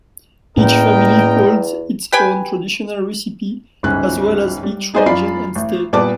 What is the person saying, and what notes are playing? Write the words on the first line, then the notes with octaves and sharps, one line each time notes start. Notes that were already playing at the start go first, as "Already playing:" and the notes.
Each family holds its own traditional recipe as well as each region and state.
E2 A2 A#3 C#4 A#4 D#5 G5
G4 B4 G5 G#5
G1 C#2 G#2 C#4 F#6
G3
D#4 G#4 B4 C5 D5 D#5
F#2 F4 D5 B5 C7
A1
A#2 G3 B3 D5 A5 D6